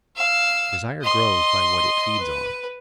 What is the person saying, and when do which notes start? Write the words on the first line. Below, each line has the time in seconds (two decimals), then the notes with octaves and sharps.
Desire grows by what it feeds on.
0.16 F5 E6
1.02 D#5 C6
2.20 B4